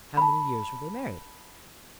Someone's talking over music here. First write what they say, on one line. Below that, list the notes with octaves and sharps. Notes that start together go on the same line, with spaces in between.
"How many years were they married?"
A5 B5